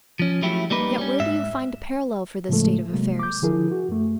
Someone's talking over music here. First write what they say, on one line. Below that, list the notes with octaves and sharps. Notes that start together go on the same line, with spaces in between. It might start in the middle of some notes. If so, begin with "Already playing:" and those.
Yet where do you find a parallel for this state of affairs?
F3 C#4
F3 F#3 A3 E4 G4
G3 A#3 D#4 B4
G3 C#4
G#2 E5
A2 C#3 F3 G#3 A3 A4
C3 F#3 G#3 A#3
D6 G6
D3 F3 E4 G#4 A#4
F#4
F#2 A3